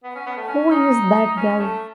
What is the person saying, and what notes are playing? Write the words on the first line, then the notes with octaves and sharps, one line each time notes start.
Who is that guy?
B3
C#4
B3
A3
C#4
D#4
C#4
A3